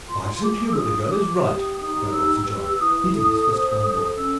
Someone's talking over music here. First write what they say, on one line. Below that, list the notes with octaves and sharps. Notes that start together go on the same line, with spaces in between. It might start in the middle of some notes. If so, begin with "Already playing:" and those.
"By Saint Hubert, the girl is right!" cried old Sir John, beating his fist upon the board.
F4 C6
G#4 D6
E6
F4 D#6
F4 D6
G4 D#6
D#4 D#6
G4 E6
B4 E6
E4 D#6
A4
C5
A4
C#4 E6